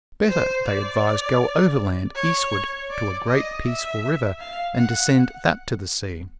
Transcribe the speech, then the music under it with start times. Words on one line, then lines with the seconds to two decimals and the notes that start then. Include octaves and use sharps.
Better, they advised, go overland eastward to a great peaceful river and descend that to the sea.
0.29 C5
0.66 D5
2.16 C#5
2.90 D5
3.28 D#5
3.65 E5
4.40 F5
4.78 F#5